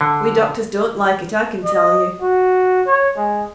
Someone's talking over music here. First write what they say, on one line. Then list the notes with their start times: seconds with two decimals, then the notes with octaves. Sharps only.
We doctors don't like it, I can tell you!'
0.01 D3
1.65 D#5
2.22 F#4
2.87 C#5
3.17 G#3